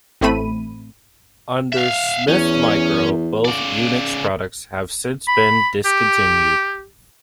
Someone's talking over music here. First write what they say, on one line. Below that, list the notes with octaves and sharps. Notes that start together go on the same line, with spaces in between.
Under Smith Micro, both Unix products have since been discontinued.
A1 A2 A3 C4 B5 D#7
E5 F5
E2 C#4
C#3 D5
B5
G4